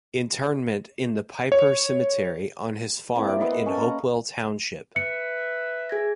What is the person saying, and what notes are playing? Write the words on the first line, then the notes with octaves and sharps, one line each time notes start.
Interment in the Piper Cemetery on his farm in Hopewell Township.
C#5
A#3 C4 E4
D5 F#5
B3 B4 D#5 F5
A#4 B4 F#5
C#4 A4
A#3 A#5
B4 E5 C#7
G#4 G#6 A#6